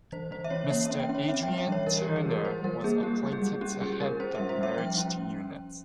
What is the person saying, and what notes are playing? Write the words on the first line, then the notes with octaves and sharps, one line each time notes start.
Mr Adrian Turner was appointed to head the merged unit.
E3 C5
E3 C5
E5
C#4 C#5
A#3 C#5
E5
C#4
G5
C#4
C#5
C4 E5
G5
G3
E5
E3 C#5
E3 A#4
G4
E3
G#4
G3
A#4
G3 C5
G3 A#4
A#3 G#4
A#3 G4
G3
G#4
G3
C#4 G4
G3 G#4
G3 A#4
C#4 C5
E5
G3
C5
G3 E5
F3 G5
C#4